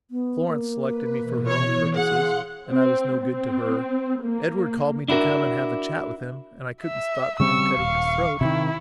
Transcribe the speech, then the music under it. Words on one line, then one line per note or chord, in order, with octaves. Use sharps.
Florence selected me for her own purposes, and I was no good to her; Edward called me to come and have a chat with him, and I couldn't stop him cutting his throat.
B3
A#3
B4
B2 E3
C#5
G#4 F5 F#5 C6 C#7
C4
C4
A#3
D4 E4 F#4 A#4
E5
C#3 G3 C4 C#6 E6
D#1 F5
C3 D#3 E4